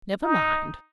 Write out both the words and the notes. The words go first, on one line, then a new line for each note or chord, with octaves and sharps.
Never mind.'
D#4